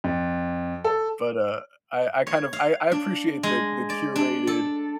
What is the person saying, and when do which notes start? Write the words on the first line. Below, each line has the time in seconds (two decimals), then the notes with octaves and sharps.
but, uh, I I kind of I I appreciate the the curated
0.04 F2
0.84 A4
2.27 C#5
2.53 F5
2.92 D4
3.43 G#3
3.90 D5
4.16 D4
4.47 A4